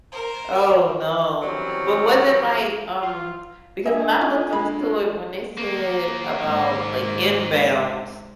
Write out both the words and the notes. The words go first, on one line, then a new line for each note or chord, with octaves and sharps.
Oh, no. But, was it, like, um, because when I looked int to it, when they said about, like, inbounds,
A#4 C5
D#3 E3 F#3 G3 C4 C#4
F4
D4 F4 A4 D#5 E5 G#5
C#4
G#3 B5
D#2 A#3
G#2